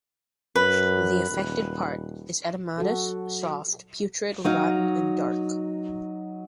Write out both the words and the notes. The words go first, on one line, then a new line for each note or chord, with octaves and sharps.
The affected part is edematous, soft, putrid, rotten, and dark.
F#2 B4
D#1
F#3 F#4 A4
F#3 D#4 F5